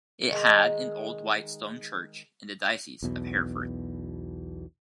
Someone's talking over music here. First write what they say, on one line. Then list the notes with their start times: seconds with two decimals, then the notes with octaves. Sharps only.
It had an old white stone church in the Diocese of Hereford.
0.31 D#3 G#3
3.03 B1 E2 B2